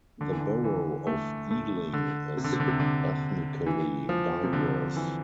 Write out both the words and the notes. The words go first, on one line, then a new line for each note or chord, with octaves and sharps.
The borough of Ealing is ethnically diverse.
D3
E3
D3
E3
A3
A3
D3
C3
D3
C3
D3
C3
D3
E3
F3
C3
D3
E3